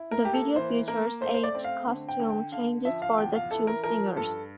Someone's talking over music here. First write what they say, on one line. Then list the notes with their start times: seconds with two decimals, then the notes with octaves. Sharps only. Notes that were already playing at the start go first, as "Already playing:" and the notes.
The video features eight costume changes for the two singers.
Already playing: E4
0.11 A#4
0.23 A#3 G4
0.34 A4
0.56 E3 C5
0.88 A#3 A#4
1.21 A3 C5
1.34 C5
1.43 D5
1.55 C4
1.64 F5
1.87 D3
2.09 G5
2.19 D3
2.30 G5
2.52 D3 F5
2.85 F3 E5
3.02 F5
3.18 E2 G5
3.35 F5
3.51 E3 A4
3.67 A#4
3.84 F3 A#4
4.16 G2 A4